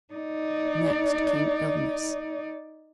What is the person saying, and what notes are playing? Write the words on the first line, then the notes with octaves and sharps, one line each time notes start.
Next came illness.
D#4 D5